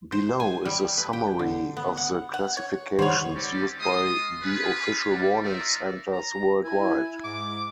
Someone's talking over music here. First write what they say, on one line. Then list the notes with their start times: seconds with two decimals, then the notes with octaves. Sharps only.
Below is a summary of the classifications used by the official warning centres worldwide.
0.12 C5
0.40 G#5
0.65 G3
0.98 B4
1.13 G5
1.39 D3
1.77 B3
1.97 F#5
2.34 F#5
2.57 C#5
2.99 D#3 G3 C5 C#5 F#5 B5 C#6
3.35 G3 C4 C#4 G4 A4 D5
3.79 G#3 F4 C6 D#6
4.41 C#4 F4 G#4 B4
5.10 G3
5.42 D#4 F4 A#4 D5 E5
6.12 A#5
6.64 E4 G#5
7.24 G#2 D6